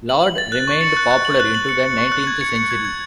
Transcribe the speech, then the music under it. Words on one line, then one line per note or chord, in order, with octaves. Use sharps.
"Laude" remained popular into the nineteenth century.
F#7
F#7
A6
F#6
C#6
C#7
F#6
F#6
F#7
F#6
F#7
C#7
C#7
C#6
F#6
G#6
C#7
C#7
G#6
G#6